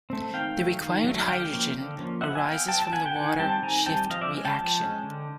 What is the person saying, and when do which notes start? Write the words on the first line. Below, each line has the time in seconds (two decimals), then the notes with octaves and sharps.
The required hydrogen arises from the water shift reaction.
0.10 A3 C4
0.33 D#3 F5 G5
0.57 F#3 A3
0.81 D#3
1.04 F#3 A3
1.27 D3 F5 G5
1.51 F3 A#3 C#4
1.75 D3
1.98 F3 A#3 C#4
2.21 F#3 E5 F#5
2.35 G#5
2.45 B3 F5 G5
2.68 F#3 G5 A5
2.82 A5
2.92 B3 F#5 G#5
3.06 G5
3.16 D#3 F#5 G#5
3.39 G3 C4 G5 A5
3.62 D#3 G#5 A#5
3.86 G3 C4 G5 A5
4.10 F3 D#5 F5
4.21 D5 E5
4.33 G#3 C#4
4.45 G5 A5
4.57 F3
4.80 G#3 C#4
5.03 D3